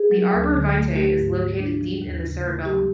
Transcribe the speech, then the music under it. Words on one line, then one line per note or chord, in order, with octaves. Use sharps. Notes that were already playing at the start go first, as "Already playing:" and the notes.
The arbor vitae is located deep in the cerebellum.
Already playing: G#4
F#3
D2
D3
A3
A3 G4
G#2
F3
D4
F3
D#2
C#3
A3
F#3 G4